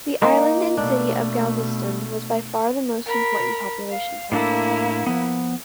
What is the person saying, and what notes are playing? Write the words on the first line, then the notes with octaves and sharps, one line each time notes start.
The island and city of Galveston was by far the most important population center.
A#3 D#4
B2 A3 D4
A#4 B5
F5
A2 A#3 D4 E4 A4
F3 B3